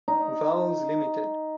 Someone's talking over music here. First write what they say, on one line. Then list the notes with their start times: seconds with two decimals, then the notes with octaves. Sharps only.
Vowles Ltd.
0.08 D#4